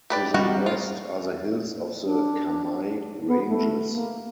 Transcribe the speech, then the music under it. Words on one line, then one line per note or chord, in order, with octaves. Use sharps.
To the west are the hills of the Kaimai Ranges.
G4 B4 D5
D#3 G3 F#4
F4
D4
B3
A3
A#3